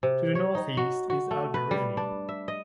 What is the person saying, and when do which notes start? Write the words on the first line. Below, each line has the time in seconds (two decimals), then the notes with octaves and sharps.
To the northeast is Al-Biruni.
0.03 C3
0.35 C#5
0.55 D#4
0.77 F#4
1.10 F#4
1.31 A3
1.54 B4
1.71 G3
1.97 D4
2.29 E5
2.48 D#5